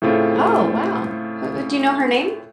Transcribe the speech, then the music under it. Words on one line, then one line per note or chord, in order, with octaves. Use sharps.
Oh, wow. Her do you know her name?
A2 C#3 A3 C4 F4